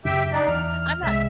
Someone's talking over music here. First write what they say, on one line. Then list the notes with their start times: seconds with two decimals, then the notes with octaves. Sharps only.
I'm not s
0.05 F#2 C#3 G4 E5 G5
0.32 D4 D#4 D5
0.48 E2 F6
1.03 C2 G#3 E5